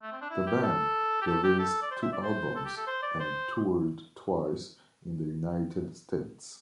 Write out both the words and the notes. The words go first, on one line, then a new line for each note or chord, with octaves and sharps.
The band released two albums and toured twice in the United States.
A3
C4
D4
E4
G4
A4
G4
A4
G4
A4
D5
C5
E5
D5
C5
A4
G4
A4
C5
D5
C5